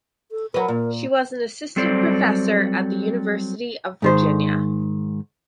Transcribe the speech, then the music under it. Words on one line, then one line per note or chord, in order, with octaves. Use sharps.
She was an assistant professor at the University of Virginia.
A4
F#3 A#4 B4
A#2
F#3 G3 C4 A4 C5 D5
G#2 D#3 C5